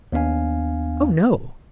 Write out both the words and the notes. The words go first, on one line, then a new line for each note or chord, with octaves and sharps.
"Oh no."
D#2 B3 D4 F5 G#5